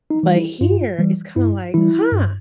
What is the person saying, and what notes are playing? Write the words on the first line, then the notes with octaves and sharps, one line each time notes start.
but here it's kinda, like, "Huh,
D#4
E3 G3
E4
G2 F4
E3 G3
G2 E4
E3 G3 E4
G2